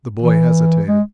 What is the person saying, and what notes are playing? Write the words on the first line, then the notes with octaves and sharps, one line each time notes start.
The boy hesitated.
E3
G#3